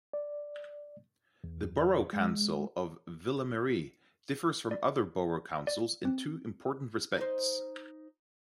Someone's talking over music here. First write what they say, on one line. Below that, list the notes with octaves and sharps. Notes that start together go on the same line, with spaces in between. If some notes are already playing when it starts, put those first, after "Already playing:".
The borough council of Ville-Marie differs from other borough councils in two important respects.
D5
E2
G#3
D5
D5
C4
D#4 C5